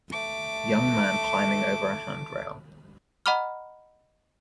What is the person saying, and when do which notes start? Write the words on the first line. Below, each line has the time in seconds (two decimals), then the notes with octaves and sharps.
Young man climbing over a handrail.
0.12 A3 D6
3.26 D#5 F#5 A#5 B5 D6 F6